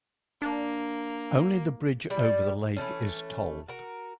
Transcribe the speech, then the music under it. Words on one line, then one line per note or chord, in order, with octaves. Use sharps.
Only the bridge over the lake is tolled.
A#3 D4
G3 E4 D5
E3 F3 A3 C#4
F#4 A#4